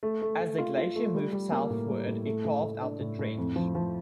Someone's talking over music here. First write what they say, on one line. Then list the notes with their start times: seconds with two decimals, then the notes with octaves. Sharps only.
As the glacier moved southward it carved out the trench.
0.03 A3
0.22 A3
0.40 A3
0.58 F4
0.78 F4
0.96 A3
1.15 G3
1.33 G3
1.52 A#3
1.70 A2
1.89 G3
2.07 A2
2.25 A3
2.45 A2
2.63 A2
2.82 D4
3.01 A2
3.19 A2
3.38 F2
3.56 F3
3.75 F3